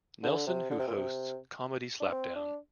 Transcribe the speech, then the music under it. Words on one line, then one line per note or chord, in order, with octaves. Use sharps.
Nelson, who hosts "Comedy Slapdown".
D3
C3
D3
C3
A#2
C3
D4
C4
D4